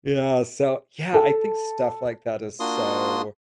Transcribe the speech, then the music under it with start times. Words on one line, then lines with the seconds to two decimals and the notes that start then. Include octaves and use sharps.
Yeah, so, yeah. I think stuff like that is so
1.13 A4 A5
2.60 A#3 D4 F4 F#4 C6 D#6